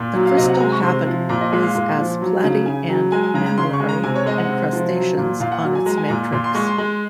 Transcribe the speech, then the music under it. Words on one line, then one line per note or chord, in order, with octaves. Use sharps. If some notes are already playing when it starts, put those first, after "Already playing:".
The crystal habit is as platy and mammillary encrustations on its matrix.
Already playing: A#2
F#3
F5
C3 D#5
F#5
A#5
G#3 G#5
C#6
C3 C6
F3
A#2 A#5
D#5
G#3
F5
A#2
F3
F#3
C#3
C#3 G#5
F#3
G#3 G#5
G#5
C#3 A#5
A#5
C#3 C6
C#6
G#3
A#5
C3 G#5
C#5
G#3 D#5
F#5
C3
F3
F#3
A#2
A#2 F5
F#5
F#3
G#5
G#3 A#5
G#5
A#2 A#5
A#2 C6
C6
G#3 C#6
C6
G#3